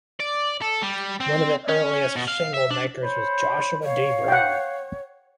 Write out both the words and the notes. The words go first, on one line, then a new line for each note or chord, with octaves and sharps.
One of the earliest shinglemakers was Joshua D. Brown.
D5
A4
G3
C4
C#4
B2
F5
E5
D4
C5 C#5 B5
C#5 F5
F#5 G5